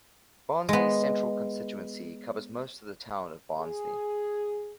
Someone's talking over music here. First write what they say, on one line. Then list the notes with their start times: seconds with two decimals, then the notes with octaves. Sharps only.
Barnsley Central constituency covers most of the town of Barnsley.
0.69 G#3 B3
3.59 G#4